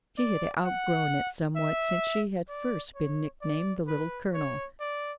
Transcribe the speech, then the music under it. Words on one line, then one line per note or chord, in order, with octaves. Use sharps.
She had outgrown it somewhat since she had first been nicknamed the Little Colonel.
D5
F#5
E5
D5
C#5
D5
B4
C#5
D5